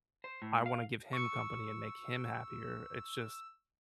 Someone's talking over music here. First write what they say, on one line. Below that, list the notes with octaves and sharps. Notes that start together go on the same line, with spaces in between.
I wanna give him company and make him happier. It's just
C5
A2
F5
C#6 E6 C#7